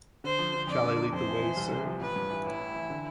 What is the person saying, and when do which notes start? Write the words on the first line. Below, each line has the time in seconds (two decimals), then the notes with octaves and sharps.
Shall I lead the way, sir?
0.24 D3 C5
0.39 F3
0.53 D3
0.67 F2 D5
0.83 D3
0.97 F1
1.13 F2 C5
1.27 E3
1.42 E3
1.57 C2
1.72 C3
1.86 F3
2.01 A1 B4
2.16 G2
2.30 E3
2.45 A1 E4
2.60 A2
2.75 E3
2.90 D3